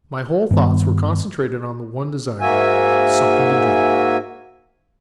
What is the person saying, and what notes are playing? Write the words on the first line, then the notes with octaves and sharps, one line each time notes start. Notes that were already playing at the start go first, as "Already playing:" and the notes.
My whole thoughts were concentrated on the one desire--something to drink!
G2 D#3 B3
G#2 A#3 F#4 E5 G#5